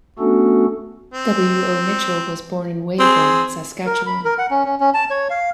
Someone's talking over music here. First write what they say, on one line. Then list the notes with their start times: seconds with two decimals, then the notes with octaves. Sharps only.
W. O. Mitchell was born in Weyburn, Saskatchewan.
0.19 A3 B3 C#4 D4 F#4 A4
1.13 C4
2.99 C4 G#4
3.86 A#4
4.06 B5
4.25 A#4
4.38 F#5
4.51 C#4
4.65 C#4
4.80 C#4
4.94 A5
5.10 C#5
5.30 F5